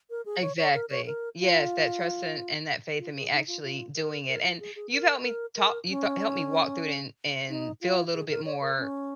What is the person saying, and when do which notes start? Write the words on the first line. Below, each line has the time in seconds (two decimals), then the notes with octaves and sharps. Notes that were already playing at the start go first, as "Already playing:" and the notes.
Exactly. Yes. That trust and and that faith in me actually doing it. And you've helped me ta you th helped me walk through it and and feel a little bit more
0.10 A#4
0.25 G#4
0.41 C#5
0.57 C#5
0.74 A#4
0.90 C#5
1.07 A#4
1.39 F4
2.98 F4
3.15 G#4
3.32 D#4
3.48 F4
3.63 F4
3.96 A#4
4.28 A#4
4.43 F4
4.60 G#4
4.76 G#4
4.92 A#4
5.23 A#4
5.56 A#4
5.89 C#4
7.49 D#4
7.81 F4
8.13 G#4
8.29 A#4
8.45 C#5
8.61 A#4
8.77 C#4